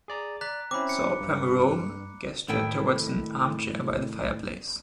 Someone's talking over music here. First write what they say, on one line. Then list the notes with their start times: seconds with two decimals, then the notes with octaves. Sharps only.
Sir Pomereux gestured towards an armchair by the fireplace.
0.08 G#4 D5 A#5
0.41 D5 A#5 F#6 B6
0.71 C4 C#4 E4 B5 D6
0.89 C#7
1.20 G2
2.48 A2 D#3 E4 A4 G5